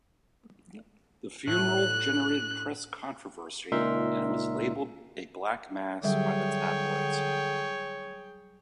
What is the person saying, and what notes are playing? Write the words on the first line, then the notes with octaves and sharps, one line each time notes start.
The funeral generated press controversy, and was labelled a Black Mass by the tabloids.
A2 F#6
C#2 A#2 D#4 A#4 E5 C6
D3 F#3 G3 G#4 C#5 E5 G5